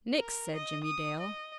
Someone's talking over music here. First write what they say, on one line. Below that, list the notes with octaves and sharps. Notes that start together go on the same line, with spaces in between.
"Nix!" said Jimmie Dale.
A#4
D#5
D#6
D#5